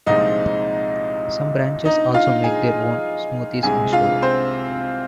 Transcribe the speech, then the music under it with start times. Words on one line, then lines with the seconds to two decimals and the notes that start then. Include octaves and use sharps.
Some branches also make their own smoothies in-store.
0.06 C2 A#2 F3 G#3 C4 D#4 D#5
1.85 D#4 D#5
2.14 F4 F5
2.44 G#4 G#5
3.63 C2 C3 G#3 G#4 G#5
3.93 F4 F5
4.22 C4 C5